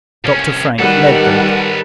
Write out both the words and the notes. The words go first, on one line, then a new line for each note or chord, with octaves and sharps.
Dr. Frank led them.
C2 C#4
D#3 G3 A4 B4 F#5